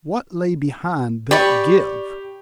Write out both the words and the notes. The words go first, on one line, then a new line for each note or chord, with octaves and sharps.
What lay beyond that give?
G4 D5 B5 C#6